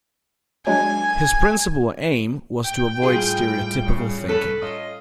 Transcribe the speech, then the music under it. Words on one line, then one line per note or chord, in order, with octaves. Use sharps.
His principal aim was to avoid stereotypical thinking.
F#3 G#3 D4 G#5
G#2 G5
A2 G3 F4 G#4
C#3
C#4 A4 B4
C#4 F4 D#5